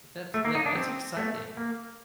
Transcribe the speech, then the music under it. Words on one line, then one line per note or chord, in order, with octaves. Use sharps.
But that's, yeah, that's exciting.
A3
A#3
D#4
D4
C4
A3
A#3